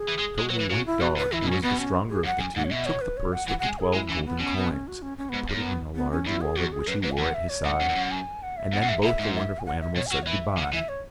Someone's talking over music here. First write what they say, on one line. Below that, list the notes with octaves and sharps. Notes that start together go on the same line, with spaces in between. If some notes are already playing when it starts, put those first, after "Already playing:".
So the white dog, who was the stronger of the two, took the purse with the twelve golden coins, and put it in a large wallet which he wore at his side, and then both the wonderful animals said good-bye.
Already playing: G#4
E3
G#3
G#3 F#4
F#3 C#5
B4
E3
C#3 F#4
E4
B2 F#4
G#2 B4
E3 E4
B2
G#2 C#4
B2 B3
C#4
G#4
F#2 F#5
F#2 G#5
G#2 F#5
C#5
B2 E5
C#5
B4
C#5
F#5
E3 F#5
G#3 F#5
G#5
G#4
G#3 E4
E3 C#4
B3
B2 C#4
B3
C#4
F#4
C#4
C#4
G#2 B3
F#2 B3
B3
C#4
E2 E4
G#4
E2 F#4
G#4
F#2 B4
G#2 B4
G#5
E2 F#5
E5
C#5
G#2 F#5
F#2
E2
F#2
G#5
F#5
E5
E2 F#5
F#2
G#2 E5
B2 E5
G#2
E5
G#5
F#5
E5
B2 C#5
G#5
F#3 F#5
C#5
E3 E5
C#3
F#5
E3 E5
C#5